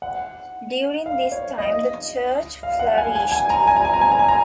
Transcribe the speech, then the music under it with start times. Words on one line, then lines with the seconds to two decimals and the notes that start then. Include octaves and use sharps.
During this time the church flourished.
0.02 F#5
1.06 F5
1.32 C#5
1.58 D#5
2.63 F5
2.79 F#5
2.98 G#5
3.15 G#5
3.32 G#5
3.50 A#5
3.67 G#5
3.76 A#5
3.85 G#5
3.93 A#5
4.01 G#5
4.11 A#5
4.19 G#5
4.28 A#5